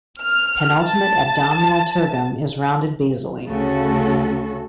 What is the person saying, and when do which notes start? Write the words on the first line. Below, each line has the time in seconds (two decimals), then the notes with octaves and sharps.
Penultimate abdominal tergum is rounded basally.
0.22 F6
0.83 A5
3.48 D2 C#3 A3 C#4 F#4 A4